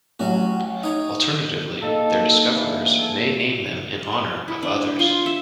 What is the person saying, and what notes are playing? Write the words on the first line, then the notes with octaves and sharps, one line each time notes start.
Alternatively, their discoverers may name them in honor of others.
A1 F#3 C#4 F#4
D#4 C#5
A#3 D#4 A4
E3 A#3 D4
A#3 A4 G#5
E4
D4
F4
C#5 E5